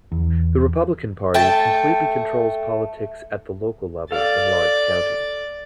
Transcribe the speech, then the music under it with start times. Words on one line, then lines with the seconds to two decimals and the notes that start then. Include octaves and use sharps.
The Republican Party completely controls politics at the local level in Lawrence County.
0.12 E2
1.34 A3 G5 A5
4.11 A4 D5 F5 A6